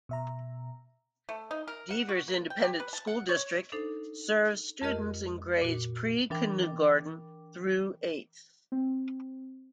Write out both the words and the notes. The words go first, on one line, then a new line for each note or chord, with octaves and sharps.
Devers Independent School District serves students in grades pre-kindergarten through eighth.
B2 E5 A#5
A3
D#4
A#4
F#5
F#4
A#3
G5
G4
B4
A5
F#5
C#5
D4 D#4 A4 C5
F2 G#3 G4 A#4 D#5 F6
A#2 F#4
E3 D4 A#4 G5 D6
C4